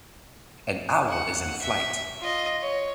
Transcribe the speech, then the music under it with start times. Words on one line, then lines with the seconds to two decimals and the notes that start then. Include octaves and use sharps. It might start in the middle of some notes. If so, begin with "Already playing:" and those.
An owl is in flight.
1.09 F#5
1.62 E5
2.20 F4 D#5
2.61 C#5